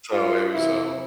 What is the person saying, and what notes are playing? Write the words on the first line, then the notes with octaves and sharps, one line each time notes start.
so it was, um,
F4
E2 C3 E3 E4